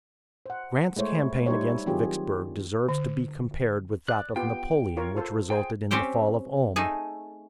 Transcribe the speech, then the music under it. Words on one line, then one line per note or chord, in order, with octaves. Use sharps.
Grant's campaign against Vicksburg deserves to be compared with that of Napoleon which resulted in the fall of Ulm.
C5 F#5
G#3 A3 E4 C5 C#5
G3 D#4 E4 G4 C5 C#5
D#3 F#3 C4 F4 G4 G#4
D3
D5 F#6
B3 F4 G4 G5
F4 A#4 C#5
F4 A4 C5
G#4 C5 G5 G#5
C4 C#4 G4 C5 G5
A3 D#4 G#4